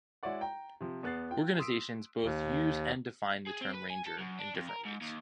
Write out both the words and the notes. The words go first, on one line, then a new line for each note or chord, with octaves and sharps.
Organizations both use and define the term "Ranger" in different ways.
G#3 E4 F#4 C#5 D5 F#5
G5 A#5
C3 F3
E2 B3 F#6 A6 C7
F4 G5
C6 D#6 E6 B6 D7
D#2
G#4
C4
B4
G#5
A4
F#2
D4
F2
A#4
G#2
D#2